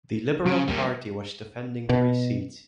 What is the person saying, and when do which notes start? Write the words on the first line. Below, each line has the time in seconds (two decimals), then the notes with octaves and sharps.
The Liberal Party was defending three seats.
0.45 C#3 F#3 D7
0.68 G3 A#3
1.89 B2